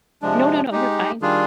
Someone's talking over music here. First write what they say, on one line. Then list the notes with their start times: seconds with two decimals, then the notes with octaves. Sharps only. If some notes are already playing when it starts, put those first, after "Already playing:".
No, no, no, you're fine.
0.22 C3 F3 G#3 D4
0.72 G#3 D#4 G4
1.21 D#3 G3 D4 F4 G#4